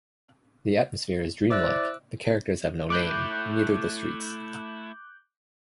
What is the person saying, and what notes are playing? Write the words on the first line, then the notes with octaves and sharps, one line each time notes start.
The atmosphere is dreamlike, the characters have no name, neither the streets.
E4 C5 D5 E5 D6 E6 F#6
A3 E4 D6 F#6 G6